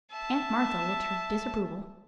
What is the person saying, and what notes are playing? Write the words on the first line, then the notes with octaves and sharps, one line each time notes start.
Aunt Martha looked her disapproval.
E5 A5